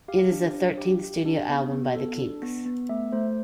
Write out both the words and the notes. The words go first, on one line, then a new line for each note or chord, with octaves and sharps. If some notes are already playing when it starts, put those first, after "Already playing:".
It is the thirteenth studio album by The Kinks.
G4 F5
D4
D4
G4
G4
D4
B3
B3
A4
D4
B3
B3
A3 E5
A3 C5